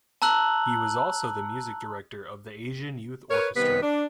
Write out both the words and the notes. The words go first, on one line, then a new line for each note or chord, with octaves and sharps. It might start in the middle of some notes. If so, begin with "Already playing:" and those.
He was also the Music Director of the Asian Youth Orchestra.
A5 A#5 E6 F#6 F#7
A#4 B4 C#5
C3 D#3 G3 B3 B4
D4